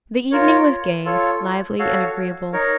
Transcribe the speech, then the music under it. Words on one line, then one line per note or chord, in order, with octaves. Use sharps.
The evening was gay, lively and agreeable.
F4 A#4 C#5
F4 A4 C#5
F#4 A4 C#5 F5
D#4 A#4 C#5